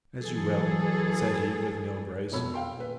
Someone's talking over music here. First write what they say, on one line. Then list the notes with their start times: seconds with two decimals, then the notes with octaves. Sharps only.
"As you will," said he, with an ill grace.
0.20 E3 F#3 G#4 A4
2.32 E1 F2 B2 C#5 B5 E6
2.54 F5 G5 C6
2.78 D#1 B4